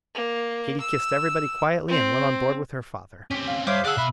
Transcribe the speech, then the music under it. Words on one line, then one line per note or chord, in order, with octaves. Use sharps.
Katy kissed everybody quietly and went on board with her father.
A#3
E6
C4
C4 C#4 G4
F5
G2 C5 C#5 E5 F5 D6 D#6
G#4 D5 F5 F#5 E6 F#6
B2 E5 B5